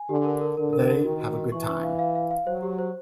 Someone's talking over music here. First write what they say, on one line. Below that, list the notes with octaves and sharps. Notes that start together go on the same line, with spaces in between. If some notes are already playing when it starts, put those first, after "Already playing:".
They have a good time.
Already playing: G#5
D3 G4
A#4
A#4
D3 A#4
A#4
A#4
D#3 F#4
F#4
F#4
E3 C#6
C#6
F5
F5
F5
F5
F#3 C5
G4
C5